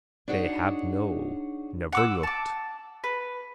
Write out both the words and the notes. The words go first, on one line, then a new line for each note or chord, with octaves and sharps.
They have no. Never looked.
D4 D#4 F#4 G#4 C#5
F#5 D6 E6
A5 D6
B4